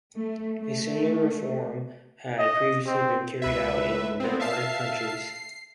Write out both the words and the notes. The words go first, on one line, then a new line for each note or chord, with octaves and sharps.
A similar reform had previously been carried out in the Nordic countries.
A3
A3
D#5
C4
C#2 B4 E5
B3 C4
E5 F5 A5 C7
C7